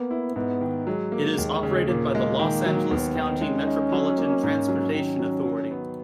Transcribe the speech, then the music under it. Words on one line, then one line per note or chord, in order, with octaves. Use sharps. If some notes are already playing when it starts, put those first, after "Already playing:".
It is operated by the Los Angeles County Metropolitan Transportation Authority.
Already playing: A#3 B3
E4
G#2 B3
D#3
F#3 G#3
A#3
D#2
C#3
A#2 A#3
G#3
D#3
F#3
D#2 B3
D#3
G#3 C#4
D#4
F#3
A#3
G#2
F#3
D#3 C#4
F#3
F#3
B3